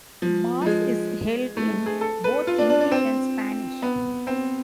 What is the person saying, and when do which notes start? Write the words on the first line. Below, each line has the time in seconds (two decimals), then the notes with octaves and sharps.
Mass is held in both English and Spanish.
0.22 F3
0.61 F3
0.66 G#3
1.57 A3
1.86 G#4
2.01 A4
2.24 B4
2.47 F4
2.58 D4
2.70 D4
2.81 D4
2.91 C4
3.82 B3
4.27 C4